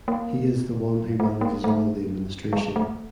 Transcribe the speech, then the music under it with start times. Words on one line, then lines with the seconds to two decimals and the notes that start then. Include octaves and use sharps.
He is the one who manages all the administration.
0.08 A#3
1.20 A3
1.41 A#3
1.64 A3
2.53 G#3
2.76 A3